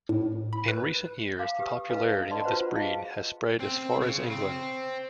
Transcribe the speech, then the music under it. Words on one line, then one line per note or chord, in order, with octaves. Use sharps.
In recent years the popularity of this breed has spread as far as England.
A2
B5
B4
F5 A#5 D6
G4 B4 D#6
D4 A4 B4 D#5 F5 A#5
D5 D#5 A5 C6 C#6
F4 F#4 B4 C5 F#5 A#5
G#4 D#5 F5 A5
C4
C#3
C4